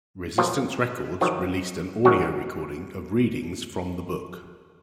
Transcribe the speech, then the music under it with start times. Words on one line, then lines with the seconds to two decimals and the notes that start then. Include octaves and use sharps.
Resistance Records released an audio recording of readings from the book.
0.38 B1 A#2 F3 F#3 F4
1.21 F2 C3 D#3 F3 F#3 F4
2.05 G#1 F#2 D#3 F#3 G#3 F#4